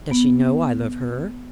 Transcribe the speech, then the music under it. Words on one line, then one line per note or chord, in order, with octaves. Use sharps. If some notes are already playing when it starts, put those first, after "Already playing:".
Does she know I love her?
B3